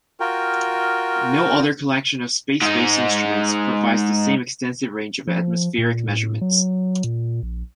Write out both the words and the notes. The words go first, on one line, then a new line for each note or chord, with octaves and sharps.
No other collection of space-based instruments provides the same extensive range of atmospheric measurements.
F4 F#4 A#4 G5
G#2 D#4
F3
A#2
A2
F#3
A#2
A#1